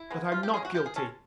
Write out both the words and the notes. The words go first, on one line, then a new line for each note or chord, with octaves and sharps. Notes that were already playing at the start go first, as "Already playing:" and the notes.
But I'm not guilty.
Already playing: E4
G#3 B3
F3 F4
G4
G#3 C#4 G#4
F#4
F3 G4
G#4
G#3 C#4 A4